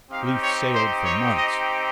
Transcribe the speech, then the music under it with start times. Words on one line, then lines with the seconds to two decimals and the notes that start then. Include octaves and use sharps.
Leif sailed for months.
0.11 C4 D#4 G4 F5
0.42 C#5
0.74 C5
1.04 C#5
1.36 D#5